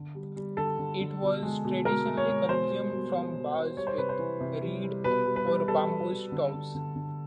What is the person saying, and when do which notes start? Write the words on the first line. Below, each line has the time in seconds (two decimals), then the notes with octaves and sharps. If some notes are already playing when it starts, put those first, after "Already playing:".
It was traditionally consumed from jars with reed or bamboo straws.
Already playing: D3
0.15 G3
0.36 G3
0.57 D3 A4
0.79 D3
1.01 D3
1.21 B2
1.43 G#3
1.64 B2
1.85 B2 A#4
2.06 G#3
2.17 C#5
2.28 G#3
2.49 B2 C5
2.70 G3
2.92 B2
3.13 B2
3.35 B2
3.55 B2
3.77 G3 C#5
3.87 C5
3.98 C3 B4
4.09 C5
4.19 E3
4.41 C3
4.62 G3
4.84 G3
5.04 B2 B4
5.26 G3
5.36 B4
5.47 G3
5.68 G3 A4
5.89 G3
6.11 G3
6.32 D3
6.54 D3
6.75 D3
6.96 D3